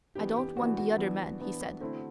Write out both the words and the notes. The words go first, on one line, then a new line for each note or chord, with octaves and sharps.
"I don't want the other men," he said.
E3 B3 D4 G4
G4
E3 B3 D4 F#4
F#4
E3 B3 D4
E3 B3 D4
D3 A3 C4 E4